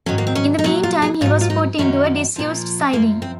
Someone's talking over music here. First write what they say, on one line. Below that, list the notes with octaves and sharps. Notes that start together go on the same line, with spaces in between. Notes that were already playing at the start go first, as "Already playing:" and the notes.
In the meantime, he was put into a disused siding.
G#2 D#3 F#3 C#4
A#3
C4
C#4
D#4
A#2 F#3 C#4
F4
G#4
G#2 F#3 F4
F4
D#4
F#2 D#3 F#3 C#4
A#2 F3
F#2 F3 A#3
C4